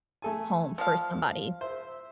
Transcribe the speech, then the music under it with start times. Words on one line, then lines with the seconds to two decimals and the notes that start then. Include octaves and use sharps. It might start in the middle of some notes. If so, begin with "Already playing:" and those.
home for somebody.
0.22 A3 A4 G#5
0.78 F3 F5
1.61 C5 E5